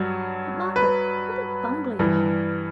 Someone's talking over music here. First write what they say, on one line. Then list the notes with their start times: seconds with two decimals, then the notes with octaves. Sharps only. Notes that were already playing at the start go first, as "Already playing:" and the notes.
But, Margaret, what a bungler you are!
Already playing: G2 F#3
0.76 B4
1.99 G2 E3